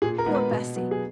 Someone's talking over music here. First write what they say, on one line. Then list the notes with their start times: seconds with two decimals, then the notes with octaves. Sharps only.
'Poor Bessy!
0.02 A#2 G#4
0.18 A#4
0.26 G#3 B3
0.35 B4
0.51 B2
0.76 F#3 B3
0.91 G#4